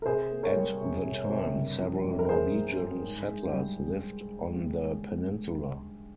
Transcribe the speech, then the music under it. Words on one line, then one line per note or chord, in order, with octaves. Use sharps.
At the time, several Norwegian settlers lived on the peninsula.
A#4
C3 G#4 C5
A#3
A#4 C#5
G3
C3
C3
C3
G2
F3
G2
A#4
A#3 G#4 C5
G2
G2
G#2
G#2
G3